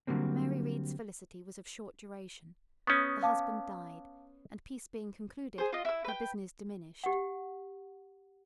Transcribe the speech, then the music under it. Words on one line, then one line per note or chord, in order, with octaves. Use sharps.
But Mary Read's felicity was of short duration; the husband died, and peace being concluded, her business diminished.
D3 F#3 G3 A#3 C4
B3 C#4 C#6 D#6 G6
F5 A5 D6
G#4 C5
F4 D#5
E4 E6
B4 G5
G4 F#5